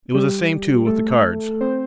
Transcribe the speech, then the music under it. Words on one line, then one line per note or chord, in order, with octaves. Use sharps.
It was the same too with the cards.
G3 G4
A3 A4
C4 C5